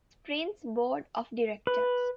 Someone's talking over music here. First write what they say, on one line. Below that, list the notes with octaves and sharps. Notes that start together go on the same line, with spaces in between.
Sprints Board of Directors.
B4